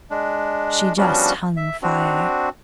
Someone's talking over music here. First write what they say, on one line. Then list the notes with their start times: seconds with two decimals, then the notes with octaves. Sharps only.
She just hung fire.
0.11 G#3 D4
0.97 F3 G3 B3 C#4 D4 F#4
1.57 E5
1.82 C4 D4 F#4